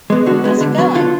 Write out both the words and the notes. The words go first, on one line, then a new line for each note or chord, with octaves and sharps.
How's it going?
G#3 B3
D3 F#4
G#3 B3
D3
F#3 B3
D3 F4